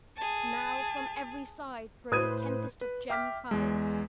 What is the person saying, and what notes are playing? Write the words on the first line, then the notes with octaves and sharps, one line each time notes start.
Now from every side broke a tempest of gem fires.
G#4 A5
A2 B4 C5 D#6 G#6 D#7
B4
E5 G5 D6 F6 B6
E2 G#3